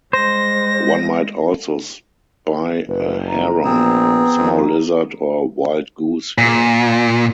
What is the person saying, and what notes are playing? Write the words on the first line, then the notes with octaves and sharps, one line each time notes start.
One might also spy a heron, small lizard or wild goose here.
G3 G#3 C5 A#6
F#1 B4
A#5
A#1 B3 C4 G#4
F2
A#2